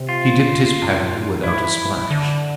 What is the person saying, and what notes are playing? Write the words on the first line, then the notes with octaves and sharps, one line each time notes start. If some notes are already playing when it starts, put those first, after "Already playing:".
He dipped his paddle without a splash.
Already playing: C3
F4
E4
D3